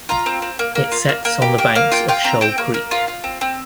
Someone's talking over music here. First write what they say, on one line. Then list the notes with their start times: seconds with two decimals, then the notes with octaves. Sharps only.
It sets on the banks of Shoal Creek.
0.09 F4 A#5
0.26 C4
0.42 C4
0.59 A#3
0.75 A#3
0.92 F4
1.09 A#3
1.25 A#3
1.42 G4
1.58 A#3 G5
1.75 A#3 F5
1.92 F4 G5
2.08 F4 G5
2.24 C4 A#5
2.41 C4 G5
2.58 A#3
2.74 A#3
2.91 F4
3.08 F4
3.24 C4
3.41 C4